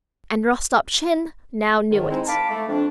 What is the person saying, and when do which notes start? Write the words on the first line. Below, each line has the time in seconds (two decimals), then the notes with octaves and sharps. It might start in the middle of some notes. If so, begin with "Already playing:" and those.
And Rostopchin now knew it.
1.91 G#2 D#3
2.10 G#3 C4 D#4 E4
2.27 F5 A5 B5 D6
2.50 A3
2.68 F2 D4